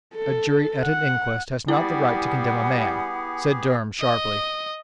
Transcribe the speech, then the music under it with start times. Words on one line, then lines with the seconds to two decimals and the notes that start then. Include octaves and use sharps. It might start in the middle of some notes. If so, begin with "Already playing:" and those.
"A jury at an inquest has not the right to condemn a man," said Durham, sharply.
0.15 A4
0.82 F#5
1.68 G3 B3 E4 G4 G#4 F#5 G#5 B5
4.01 D#5